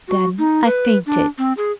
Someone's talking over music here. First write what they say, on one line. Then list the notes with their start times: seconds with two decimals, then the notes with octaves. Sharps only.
Then I fainted.
0.08 F#4
0.39 D#4
0.65 B4
1.06 D4
1.38 C4
1.57 G#4